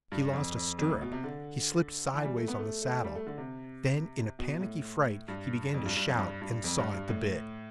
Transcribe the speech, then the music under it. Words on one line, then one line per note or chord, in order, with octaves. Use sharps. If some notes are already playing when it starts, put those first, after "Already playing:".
He lost a stirrup, he slipped sidewise on the saddle; then in a panicky fright he began to shout and saw at the bit.
G2
F2
F2
F2
A2
B2
C3
D3
E3
G3
A3
B3
A3
A3
G3
A3
D3
C3
B2
A2
G2
F2
G2
G2
F2
G2
G2
F2
G2
G2
A2